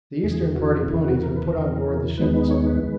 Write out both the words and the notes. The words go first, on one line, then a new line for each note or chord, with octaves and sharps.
The Eastern Party ponies were put on board the ship this morning.
E2 C#3 E3 G#4
F#4
E2 C#3 E3 E4
F#4
A#4
B4
E2 C#3 E3 A#4
D#2 D#3 G#3 B3 D#4 B4
B4
C#5
B4
D#3 G#3 B4